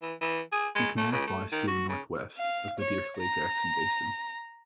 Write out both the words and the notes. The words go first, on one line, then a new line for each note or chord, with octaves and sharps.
McMath lies to the northwest of the Dirichlet-Jackson Basin.
E3
E3
G#4
G#3
A3
C#2
A3
D#3
F#4
C#3
F5
C#5
A#5